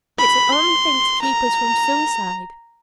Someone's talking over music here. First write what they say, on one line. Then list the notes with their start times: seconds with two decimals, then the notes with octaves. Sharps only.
It's the only thing to keep us from suicide.
0.18 B5
0.53 C6
1.22 A#5